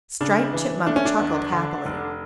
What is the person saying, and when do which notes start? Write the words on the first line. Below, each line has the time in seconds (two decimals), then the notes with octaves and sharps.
Striped Chipmunk chuckled happily.
0.21 C#3 D4
0.53 E3
0.87 A3 D4
0.96 C#4
1.05 D4
1.19 E2
1.52 D3
1.86 F1